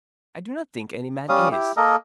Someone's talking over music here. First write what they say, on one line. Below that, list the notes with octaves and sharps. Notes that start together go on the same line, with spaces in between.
I do not think any man is.
G3 C#4 F5 D#6
E4 G4
A#3 A4 A#4 D#5